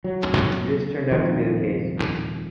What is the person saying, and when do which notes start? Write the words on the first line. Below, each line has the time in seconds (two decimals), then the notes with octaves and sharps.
This turned out to be the case.
0.04 F#3
1.11 D#1 D#3 F3 C4